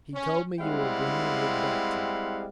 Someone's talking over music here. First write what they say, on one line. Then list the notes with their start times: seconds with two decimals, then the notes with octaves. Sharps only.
"He told me you were bringing it back to me."
0.14 C#4
0.60 G3 G#3 C4 E4 F5 F#5